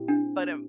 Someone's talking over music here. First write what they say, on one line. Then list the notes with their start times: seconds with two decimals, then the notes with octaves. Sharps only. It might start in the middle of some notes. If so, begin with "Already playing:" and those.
But, um
Already playing: A#2 C4 E4 G4
0.08 D4